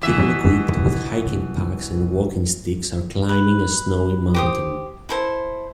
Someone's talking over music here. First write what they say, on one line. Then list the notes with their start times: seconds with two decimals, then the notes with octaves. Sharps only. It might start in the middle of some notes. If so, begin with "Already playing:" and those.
People equipped with hiking packs and walking sticks are climbing a snowy mountain.
0.02 B2 E3 E5
0.79 G1 A#2
1.25 C2
3.29 B4
4.34 G4 C5 D#6
5.09 E4 A4 C5